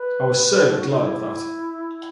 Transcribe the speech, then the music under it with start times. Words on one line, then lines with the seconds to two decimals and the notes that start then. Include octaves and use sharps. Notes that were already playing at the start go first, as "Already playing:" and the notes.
I was so glad of that.
Already playing: B4
0.69 A4
0.79 F#4
0.90 D#4
1.00 E4